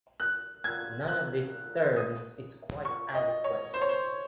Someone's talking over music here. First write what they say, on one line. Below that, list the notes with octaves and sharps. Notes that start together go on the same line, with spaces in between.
None of these terms is quite adequate.
F#6
G#6
F#6
D#6
C#6
D#5
C#5
C5
C#5
C5